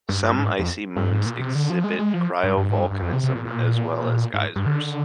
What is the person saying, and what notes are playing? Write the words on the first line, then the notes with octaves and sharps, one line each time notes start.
Some icy moons exhibit cryovolcanism, as well as geysers.
G2
G2
G#2
F2
G2
G#2
A#2
C3
D3
F3
G#3
G#3
F3
G2
G2
G#2
G2
G2
F2
C3
C3
A#2
A#2
G#2
G2
D3